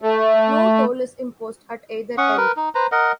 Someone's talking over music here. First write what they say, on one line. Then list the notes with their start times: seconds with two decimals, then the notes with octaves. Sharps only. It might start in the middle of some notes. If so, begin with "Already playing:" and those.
No toll is imposed at either end.
0.02 A3
2.18 C#4 F#5 C#6 D#6
2.37 A#4 B4
2.57 D#4
2.75 B4 C5 A#5
2.92 A#4 D#5 F#5